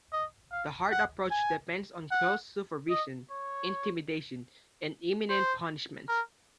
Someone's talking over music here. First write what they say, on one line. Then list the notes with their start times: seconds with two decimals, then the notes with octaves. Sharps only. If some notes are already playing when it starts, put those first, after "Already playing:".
The hard approach depends on close supervision, intimidation, and imminent punishment.
0.13 D#5
0.52 F5
0.91 F#5
1.31 G#5
2.11 F#5
2.90 D#5
3.31 C#5
5.30 C5
6.09 A#4